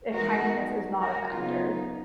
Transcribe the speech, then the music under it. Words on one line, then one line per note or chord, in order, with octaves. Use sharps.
if timeliness is not a factor
F3 G#3 B3 D#4 F#4 A#4
F#4 A#4
C#3 F#3 B3 D#4 F4